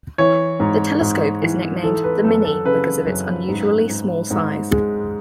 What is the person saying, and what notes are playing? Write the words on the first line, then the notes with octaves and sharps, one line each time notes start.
The telescope is nicknamed "The Mini" because of its unusually small size.
E3 C#5
G#2
G#2
E3
E3 A4
B4
F#2 A4
A4
C#3 B4
F#2
G#2
G#2
G#2
G#3